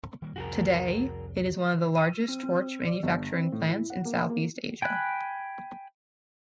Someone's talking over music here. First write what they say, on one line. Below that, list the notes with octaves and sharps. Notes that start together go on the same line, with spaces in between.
Today it is one of the largest torch manufacturing plants in South East Asia.
D#3 G3 A#3
C2 F2 F#4 G#4 A#4
D#7
C4
C4
D5
G1
C4
A2
E4
F#5
A#3
A#3
G5 G#5 B5 F#6